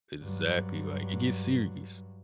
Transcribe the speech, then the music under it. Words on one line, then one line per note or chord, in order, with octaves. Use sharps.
Exactly, like, it gets serious.
G2 F#3